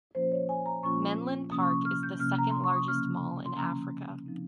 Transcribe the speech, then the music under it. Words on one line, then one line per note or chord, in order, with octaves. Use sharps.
Menlyn Park is the second largest mall in Africa.
A#2 F3 A#3 C#4 F4 C5
C#5
G#5
A#5
A#2 F3 A#3 C#4 F4 C#6
C3 F3 A#3 C#4 D#6
C#6
D#6
F6
G6
C3 F3 A#3 C#4 F6
A#5
C6
C#6
D#6
C#3 F3 A#3 C#4 F6
C6
C#3 F3 A#3 C#4 A#5
F3 C4 D#4